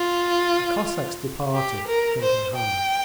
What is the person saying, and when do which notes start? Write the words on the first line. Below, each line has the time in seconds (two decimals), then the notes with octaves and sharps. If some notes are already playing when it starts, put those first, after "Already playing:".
The Cossacks departed, thinking hard.
Already playing: F4
1.54 G4
1.88 A#4
2.22 C5
2.56 G5